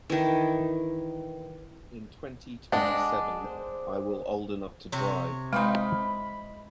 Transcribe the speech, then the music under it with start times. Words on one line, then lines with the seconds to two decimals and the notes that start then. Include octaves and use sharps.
In twenty-twenty-seven I will old enough to drive.
0.10 D#3 E3
2.72 G#3 D4 D#5 F#5
3.44 C5
4.92 C3 C#5
5.53 E3 G#3 C4 D#4 B5